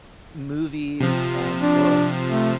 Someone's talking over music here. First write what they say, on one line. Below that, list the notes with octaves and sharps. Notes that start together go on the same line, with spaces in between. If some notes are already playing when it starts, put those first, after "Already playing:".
movies and books,
C3 F3
D4
A3